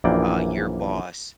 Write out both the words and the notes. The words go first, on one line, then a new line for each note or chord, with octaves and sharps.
uh, your boss,
A#1 F#2 E3 A#3 D5 G5